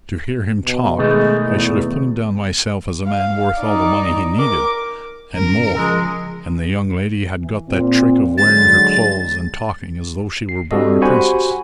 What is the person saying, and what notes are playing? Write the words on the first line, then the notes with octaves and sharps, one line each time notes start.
To hear him talk I should have put him down myself as a man worth all the money he needed, and more; and the young lady had got that trick of wearing her clothes and talking as though she were born a princess.
B2
B2 D#3 G#3 A3
E2
F5
D#4 D5
A#4 D6
G1 C#4 A#4
C#3 F3 G#3 E6
E3
A#2 C4
D3 F#3 G#3 A6
C7
G3 C4 D4 F#4 A4 D#5
F#4 G4 C5 F#5 G#5 B5